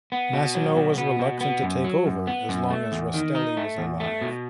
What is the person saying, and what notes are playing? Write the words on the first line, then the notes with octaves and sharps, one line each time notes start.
Massino was reluctant to take over as long as Rastelli was alive.
B3
B2
F#3
B2
B3
B2
B3
F#2
F#3
F#2
B3
F#2
A3
E2
D#3
D#4
A3
E2
A3
B2